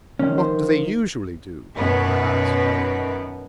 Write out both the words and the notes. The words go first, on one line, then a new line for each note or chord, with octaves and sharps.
"What do they usually do?" I asked.
D#3 F3 C#4
C5
F#2 B2 D#3 B3 B4